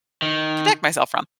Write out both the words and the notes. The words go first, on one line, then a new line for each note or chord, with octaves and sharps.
protect myself from.
D#3